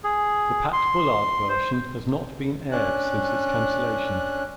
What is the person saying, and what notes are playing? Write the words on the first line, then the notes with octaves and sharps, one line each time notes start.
The Pat Bullard version has not been aired since its cancellation.
G#4
C6
C5
C#4 D4 F#6